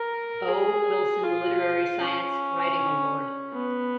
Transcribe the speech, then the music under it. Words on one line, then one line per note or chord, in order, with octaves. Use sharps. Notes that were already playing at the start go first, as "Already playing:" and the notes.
O. Wilson Literary Science Writing Award.
Already playing: A#4
G#4
F4
C#4
B3